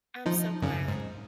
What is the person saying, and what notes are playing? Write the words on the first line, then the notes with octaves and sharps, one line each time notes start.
I'm so glad.
F3 D#4
F#2 C#3
G#2